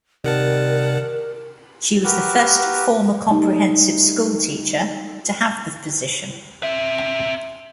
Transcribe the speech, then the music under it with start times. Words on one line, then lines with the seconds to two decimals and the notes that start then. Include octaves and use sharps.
She was the first former comprehensive school teacher to have the position.
0.24 C3 D#3 G3 A#4 F#5 A5
2.04 F#4 G4 A#4 B4
3.28 G3 A3 D#4
6.63 C4 E5